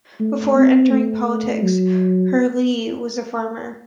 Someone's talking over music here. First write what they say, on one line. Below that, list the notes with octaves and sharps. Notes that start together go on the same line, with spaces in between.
Before entering politics, Herlihy was a farmer.
A3
C4
A3
F#3